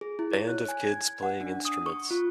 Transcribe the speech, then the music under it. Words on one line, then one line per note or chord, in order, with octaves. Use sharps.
Band of kids playing instruments.
G#4
E4
C#5
F#6
G#5
G#6
F#5
D4
D#6
C#6
F4